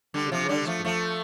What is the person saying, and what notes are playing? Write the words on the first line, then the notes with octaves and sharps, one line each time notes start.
It was good.
D3 G3
C3 F3
D3 G3
F3 A3
F3 A3